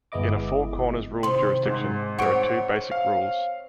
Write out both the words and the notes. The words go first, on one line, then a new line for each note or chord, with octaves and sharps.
In a Four Corners Rule jurisdiction, there are two basic rules.
G1 G#3 B3 E4 D#5 D6
C3 D#3 C6
G#2
C4 C#5 F#5 C#6 D7
F5